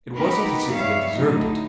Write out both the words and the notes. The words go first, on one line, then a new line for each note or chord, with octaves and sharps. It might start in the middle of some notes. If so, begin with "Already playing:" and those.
It wasn't as if he had deserved it.
B3 D#4 G4 A#4 B4
G2 G3 B3 C#5 E5 F5
A2 D3 F#3 D#4